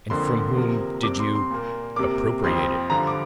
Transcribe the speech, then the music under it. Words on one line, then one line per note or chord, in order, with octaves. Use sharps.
"And from whom did you ... appropriate it?"
F2 D3 F3 A#3 C6
C3 F3 A#3
C3 G3 C4 D6
C6
C6
A#2 A#3
C3 A#3 D6
F2 F3 C4 C6
G2 D3 F3 A#5
D6